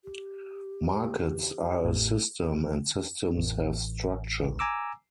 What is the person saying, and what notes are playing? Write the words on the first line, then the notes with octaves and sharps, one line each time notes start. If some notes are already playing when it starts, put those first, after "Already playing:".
Markets are a system, and systems have structure.
G4
A1 A2
A1
G#5 A#5 D6 E6